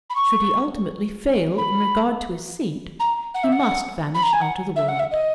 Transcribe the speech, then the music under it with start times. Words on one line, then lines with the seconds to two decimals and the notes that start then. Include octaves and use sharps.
Should he ultimately fail in regard to his seat he must--vanish out of the world.
0.10 B5
0.15 C#6
1.57 B5
2.99 A#5
3.34 F#5
3.43 E5
3.52 F#5
4.14 B5
4.23 A#5
4.32 G#5
4.41 F#5
4.76 E5
4.88 F#5
4.99 E5
5.11 D#5